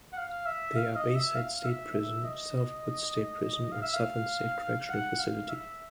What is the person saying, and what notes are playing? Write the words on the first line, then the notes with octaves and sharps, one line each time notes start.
They are Bayside State Prison, South Woods State Prison, and Southern State Correctional Facility.
F#5
F5
E5
F5
D#5
E5
F5
E5
E5
D#5
F5
E5
F5
F#5
F5
E5